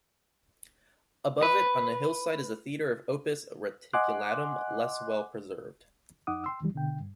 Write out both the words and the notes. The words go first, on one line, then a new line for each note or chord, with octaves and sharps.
Above it on the hillside is a theatre of "opus reticulatum", less well preserved.
B4
D#5 F#5 G#5 C6 D6 F#6
F2 D#4 F#5 D6 D#6
G5 C6 E6
D2 D#3 E3 G3
B2 D3 G5
G2